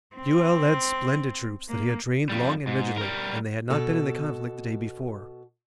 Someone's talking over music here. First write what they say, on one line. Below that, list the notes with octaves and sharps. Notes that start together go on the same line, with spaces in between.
Buell led splendid troops that he had trained long and rigidly, and they had not been in the conflict the day before.
C4
A#3
F2 G3
G#2
G3 A#4
B2 A4